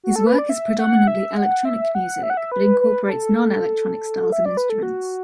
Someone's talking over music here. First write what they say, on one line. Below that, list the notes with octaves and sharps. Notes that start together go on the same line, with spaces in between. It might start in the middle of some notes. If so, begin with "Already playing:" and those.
His work is predominantly electronic music but incorporates non-electronic styles and instruments.
F#4
A4
B4
D5
E5
F#5
E5
F#5
E5
F#5
E5
F#5
E5
B4
B4
B4
A4
E5
D5
B4
A4
F#4